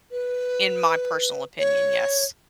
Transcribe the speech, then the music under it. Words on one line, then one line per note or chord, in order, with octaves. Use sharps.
in my personal opinion, yes.
B4
C#5